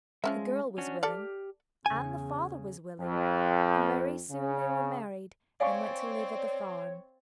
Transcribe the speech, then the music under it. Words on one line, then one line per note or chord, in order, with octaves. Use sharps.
The girl was willing and the father was willing, and very soon they were married and went to live at the farm.
F3 G#3 C#4 E5
C#4 D4 F#4
G4 A4 D5 F6
E2 C#3 G#5
F2
C#3
C4 C#5 D5 F5 F#5 G#5 C#6